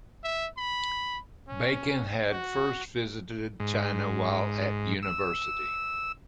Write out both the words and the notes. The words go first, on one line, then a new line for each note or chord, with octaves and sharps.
Bacon had first visited China while at university.
E5
B5
C#4
F#4
G#2
E6